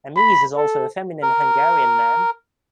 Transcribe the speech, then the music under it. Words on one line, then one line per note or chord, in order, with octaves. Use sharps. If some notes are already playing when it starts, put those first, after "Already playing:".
Emese is also a feminine Hungarian name.
B5
A4
A#4